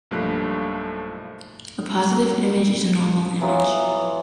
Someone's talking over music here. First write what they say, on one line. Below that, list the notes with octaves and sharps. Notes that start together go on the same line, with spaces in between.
A positive image is a normal image.
B1 G2 F3 A3 A#3 F#6
E3 F#3 B3 F4